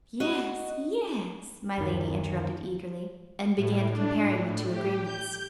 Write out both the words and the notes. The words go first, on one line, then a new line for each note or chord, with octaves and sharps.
"Yes, yes!" my Lady interrupted eagerly, and began comparing the two Agreements.
F#4 D#5
D1 F#2 D#3
A2
D4
A2
G4
G6